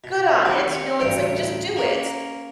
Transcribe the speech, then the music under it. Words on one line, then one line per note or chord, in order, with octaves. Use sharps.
good on it, you know, it's like just do it,
B2
D#3 C4 G4
C4 C#5
A1 D2 G2 C#5 G5
A#3 C#4 A#4